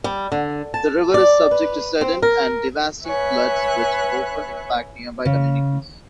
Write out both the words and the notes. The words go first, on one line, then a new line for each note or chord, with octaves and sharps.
The river is subject to sudden and devastating floods which often impact nearby communities.
G3
D3
A5
D5
B4
C4
A#4
B4 C#5 E5 G#5 F#6
C#3